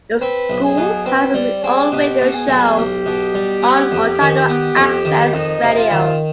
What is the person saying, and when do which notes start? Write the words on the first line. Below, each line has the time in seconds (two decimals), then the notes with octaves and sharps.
The school has its own radio show on Otago Access Radio.
0.20 C4 B4
0.50 B1
0.64 G#4
0.77 B2
1.06 C4 B4
1.34 G3 D5
1.63 C4 G#4
1.92 B2 G4
2.21 B2
2.34 G#4
2.48 B1
2.77 B1 G4
3.06 B2
3.35 G3
3.62 B3
3.92 F2
4.20 D#3
4.48 B3
4.76 F2
5.05 D#3
5.34 F2 D#4
5.62 C3
5.77 F4
5.91 D#3